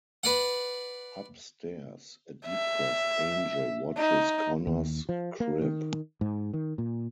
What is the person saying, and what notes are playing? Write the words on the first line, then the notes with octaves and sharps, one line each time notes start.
Upstairs, a depressed Angel watches Connor's crib.
B4 D5 F#5
E5
D#4
D#2
F3
A#3
D#3
G#2
D#3
A#2